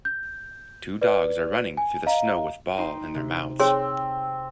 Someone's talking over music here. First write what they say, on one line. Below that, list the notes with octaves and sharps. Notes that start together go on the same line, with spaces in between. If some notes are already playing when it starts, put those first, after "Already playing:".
Two dogs are running through the snow with ball in their mouths.
G6
B4 D5
G#5
D#5 F5 A#5
D#4 G5 C6
C3
C4 G#4 C#5 C6